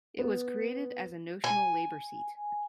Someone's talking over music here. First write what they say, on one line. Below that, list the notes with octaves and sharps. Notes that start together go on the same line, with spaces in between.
It was created as a notional Labor seat.
B3
G#5